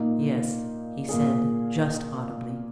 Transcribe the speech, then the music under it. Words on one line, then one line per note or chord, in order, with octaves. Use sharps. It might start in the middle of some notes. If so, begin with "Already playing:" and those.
"Yes," he said, just audibly.
Already playing: A#2 A#3 D#4
A#2 A#3 G#4